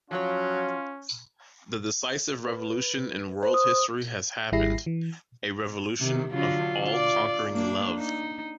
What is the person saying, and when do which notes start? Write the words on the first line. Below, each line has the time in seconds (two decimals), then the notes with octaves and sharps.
The decisive revolution in world history has happened - a revolution of all-conquering love.
0.11 F3 F#3 C#4 F4 F#4 C#5
2.47 B4
3.43 C5
3.54 D#6
4.52 G#1 G3 E4 G#4 A#6 C7
4.86 E3
6.00 C3 D#3
6.33 D3 F#3 F4
6.87 F4 D5
7.51 A#3 D4
7.99 D#4